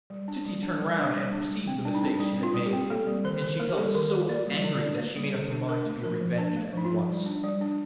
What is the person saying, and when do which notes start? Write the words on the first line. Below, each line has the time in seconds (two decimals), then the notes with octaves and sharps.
Titty turned round and perceived the mistake she had made; and she felt so angry that she made up her mind to be revenged at once.
0.10 G3
0.28 D4
0.46 G3
0.63 D4
0.80 G3
0.98 D4
1.15 G3
1.32 D4
1.51 G3
1.68 C4
1.85 G3 D4
1.95 D#4
2.03 C4 D4
2.20 G3 D#4
2.37 C4
2.43 F4
2.54 G3
2.66 G4
2.73 C4
2.90 A#3 A4
3.07 G3
3.24 D#3 C5
3.42 D#3 C5
3.60 A#3 A#4
3.73 G4
3.77 G3 A4
3.94 D#3 A#4
4.12 D#3
4.29 A#3 D5
4.46 G3
4.52 D5
4.64 D3
4.75 D5
4.81 D4
4.99 A#3
5.16 G3
5.34 D3
5.51 D4
5.69 D4 A#4
5.86 A3
6.04 F3 A#4
6.21 F3
6.38 D4
6.56 A3
6.73 F3 D#4
6.85 F4
6.91 F3
7.09 G3
7.26 D4
7.43 G3
7.61 D4